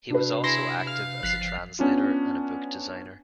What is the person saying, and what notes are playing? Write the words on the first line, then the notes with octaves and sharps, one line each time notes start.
He was also active as a translator and a book designer.
C3 D4 F#4 B4
E4 G#4 C6 A#6
F5 F6
G1 F3 F#6 B6 C7
B3 C#4 D4 F4